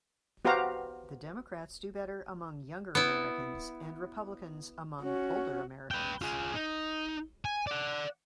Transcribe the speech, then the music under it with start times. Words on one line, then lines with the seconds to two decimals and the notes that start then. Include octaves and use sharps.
The Democrats do better among younger Americans and Republicans among older Americans.
0.45 B3 F#4 G4 C5 F5 A#5
2.95 B3 E4
5.02 C#4 F#4
5.91 B4 G5
6.22 F4 G#4
6.54 D#4
7.45 G#5
7.67 D5 F#5